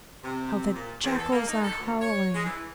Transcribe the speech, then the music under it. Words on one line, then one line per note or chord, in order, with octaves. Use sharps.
How the jackals are howling....
C3
A#2
E2
A4
A#3
D#4
A4
D2
C#5
G#3
E3